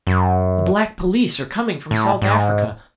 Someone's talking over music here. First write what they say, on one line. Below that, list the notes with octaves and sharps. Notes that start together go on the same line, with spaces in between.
The Black Police are coming from South Africa....
F#2
A2
G#2